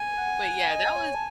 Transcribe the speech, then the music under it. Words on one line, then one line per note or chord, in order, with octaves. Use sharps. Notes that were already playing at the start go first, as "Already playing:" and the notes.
but, yeah, that was
Already playing: G#5
F#5
F#5
D#5
C#5
A5